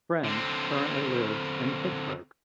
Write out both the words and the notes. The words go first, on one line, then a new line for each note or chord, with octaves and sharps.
Friend currently lives in Pittsburgh.
D3 C4